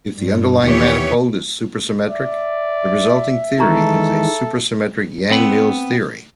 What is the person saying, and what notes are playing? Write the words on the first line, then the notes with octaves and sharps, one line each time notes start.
If the underlying manifold is supersymmetric, the resulting theory is a super-symmetric Yang-Mills theory.
G2
D#2 E3 B3 G4 C#5
D5 E5
D#3 E3 G#3 A4 A5 A#5 C#6
B3 C4 B5